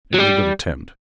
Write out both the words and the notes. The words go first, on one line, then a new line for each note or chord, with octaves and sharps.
It was a good attempt.
F#3
G3